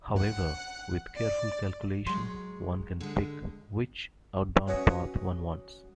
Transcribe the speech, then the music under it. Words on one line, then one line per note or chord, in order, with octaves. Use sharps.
However, with careful calculation, one can pick "which" outbound path one wants.
F#5
D5
F#3 G#3 C6
D3 G#3
F#3 C#4 B4 C#5 D#5 E5